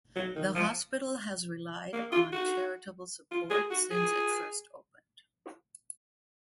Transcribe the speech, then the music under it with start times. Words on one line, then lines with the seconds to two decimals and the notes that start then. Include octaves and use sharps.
The hospital has relied on charitable support since it first opened.
0.16 F#3
0.36 D#3
0.55 F3
1.93 A#3
2.12 F4
2.33 F#4
3.31 F4
3.50 G#4
3.71 F#4
3.91 G#4